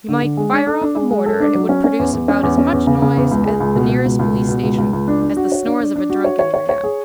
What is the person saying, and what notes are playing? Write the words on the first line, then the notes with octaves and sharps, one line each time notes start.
You might fire off a mortar and it would produce about as much noise at the nearest police station as the snores of a drunken man.
D3
D3
G#3
D4
A4
D4
G#3
G#3
A4
D4
F#3
C#4
C#4
E2
E2
C#4
E2
C#4
E2
C#3
C#3
E2
C#2
G#3
C#2
B2
B2
C#2
C#2
B2
B2
C#2
C#2
C#2
D4
D4
F#4
C#5
D4
D4
D4
F#4
C#5
C#5
C#5
C#5
G#4